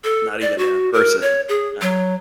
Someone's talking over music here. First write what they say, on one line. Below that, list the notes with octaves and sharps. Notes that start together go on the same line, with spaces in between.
not even there in person, um,
A4
D5
F#4
A#4
C#5
G#4
F#3